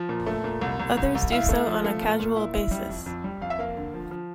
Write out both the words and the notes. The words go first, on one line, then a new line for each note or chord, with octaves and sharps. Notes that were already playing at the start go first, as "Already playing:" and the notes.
Others do so on a casual basis.
Already playing: F3
A#2
A3
A#2
C2
C2
C2
C2
E4 F5
A3
F3
A3
A#2
A#2
E4
E4
G3
F2
F2
G3
F2 F5
E5
A#3 F5
D3
F3
F3